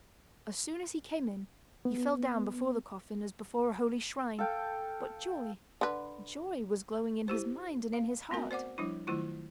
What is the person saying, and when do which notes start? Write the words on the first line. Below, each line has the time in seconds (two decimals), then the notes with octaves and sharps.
As soon as he came in, he fell down before the coffin as before a holy shrine, but joy, joy was glowing in his mind and in his heart.
1.85 B3
4.38 A4 F5 G5
5.81 D3 B4
7.28 E4 G4 C5
7.93 F5
8.30 A3 B3 C4 F#4 A#4 G#5
8.51 C5 D5 F#5 D6
8.78 F3 G3 D4 E4
9.07 D#3 F#3 A3 E4 F4